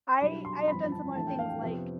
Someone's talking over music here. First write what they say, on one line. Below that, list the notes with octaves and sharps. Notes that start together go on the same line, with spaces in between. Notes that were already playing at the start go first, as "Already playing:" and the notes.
I I have done similar things like,
B1 B2 G3 D4 B5
C6
G1 F2 E3 B5
A5
A1 A2 F3 A3 D4 A5
G5
F5
G5
F2 C3 F3 B3